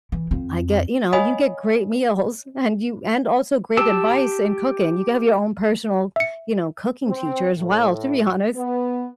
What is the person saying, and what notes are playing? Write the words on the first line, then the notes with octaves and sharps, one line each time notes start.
I get you know, you get great meals, and you and also great advice in cooking. You can have your own personal, you know, cooking teacher as well, to be honest.
E3
F2 C4
C#5 D#5 F5 G#5 B5 D#6
G4 A5 E6
E5 C#7
C4
A2
B3